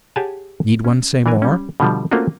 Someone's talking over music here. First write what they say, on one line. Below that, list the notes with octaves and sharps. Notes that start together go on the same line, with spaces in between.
Need one say more?
G4 G#4 C#5 F#5 G#5 A5
C#4
E3 D4 A#4 G#5
G3 C#4
B2 D3 F3 G3
A3 A#3 C4 C#4 F4 F#4